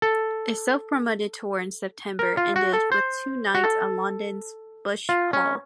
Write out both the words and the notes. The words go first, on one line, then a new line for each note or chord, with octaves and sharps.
A self-promoted tour in September ended with two nights at London's Bush Hall.
A4
A#4
F4
F#4
A4
C5
F#4
A4
F4
C#4